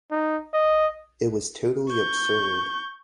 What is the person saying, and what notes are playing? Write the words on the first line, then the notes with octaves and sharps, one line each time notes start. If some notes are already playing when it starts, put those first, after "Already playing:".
It was totally absurd!
D#4
D#5
C#6 G6